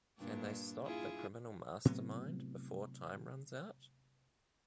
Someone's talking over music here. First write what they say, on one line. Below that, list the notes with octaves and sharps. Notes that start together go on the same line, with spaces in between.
Can they stop the criminal mastermind before time runs out?
G2 A#2 D4
E4 F4 G#4
A2 C3 F#3 B3